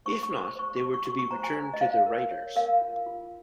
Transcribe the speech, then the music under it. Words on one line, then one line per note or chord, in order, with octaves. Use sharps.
If not, they were to be returned to their writers.
C5 C#6
C#6
C5
C#6
C5 C#6
C#6
F#4
C#6
F#4 C#6
C#6
C5 A#5
G#5
C5
D#5
C5 F5
A#4
C#5
A#4 F5
F4
F4